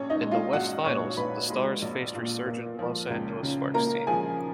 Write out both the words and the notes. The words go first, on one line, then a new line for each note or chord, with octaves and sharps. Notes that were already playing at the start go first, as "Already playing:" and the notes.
In the West Finals, the Stars faced the resurgent Los Angeles Sparks team.
Already playing: A#1 C#4 C#5
D#4 D#5
G#3
F4 F5
A#1 F#4 F#5
A#2 C#5 C#6
A#1 B4 B5
G#3
A#1
A#2
A#3
F3
C#2
C#3
A#3 A#4 A#5
F3 G#4 G#5